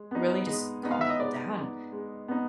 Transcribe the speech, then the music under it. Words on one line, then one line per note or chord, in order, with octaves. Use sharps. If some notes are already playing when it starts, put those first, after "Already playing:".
really just calm people down,
Already playing: G#3
B3 D#4
G#3 D#5
B3 D#4
F5
E5
D#5
G#3 D5
B3 D#4
G#3
B3 D#4